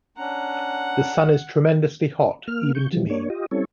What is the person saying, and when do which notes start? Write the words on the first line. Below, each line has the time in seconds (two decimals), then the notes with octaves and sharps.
The sun is tremendously hot, even to me.
0.17 C#4 D4 F#5 A#5
2.48 A#3 F6
2.75 C#6 G6
2.92 E3 F3 G3
3.10 A#3 D4 C#5
3.30 F4 G4 D#5
3.51 G3 C4 C#4 E4 A4 C#5